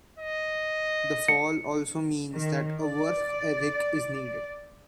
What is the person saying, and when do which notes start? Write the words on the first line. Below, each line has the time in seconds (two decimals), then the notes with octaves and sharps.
The Fall also means that a work ethic is needed.
0.18 D#5
1.28 C#7
2.34 D#3
2.82 D5